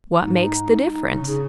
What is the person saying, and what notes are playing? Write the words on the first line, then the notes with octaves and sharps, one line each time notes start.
What makes the difference?
G#2 D#4
D#4
C#3 D#4
G#4